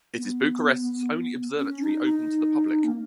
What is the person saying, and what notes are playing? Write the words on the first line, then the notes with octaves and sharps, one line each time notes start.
It is Bucharest’s only observatory open to the public.
B3
C#4
D#4
D#4
A#3